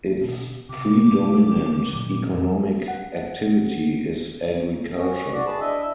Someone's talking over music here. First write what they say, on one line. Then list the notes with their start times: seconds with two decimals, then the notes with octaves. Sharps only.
Its predominant economic activity is agriculture.
0.21 B2
0.69 C3 D6
1.91 A#2 D#3 F#3
2.30 F2 E3
2.88 F#5
4.96 C#4 F#4
5.33 F#4 D5
5.46 G#4 B4 A5
5.60 D4 E4 D#5 E5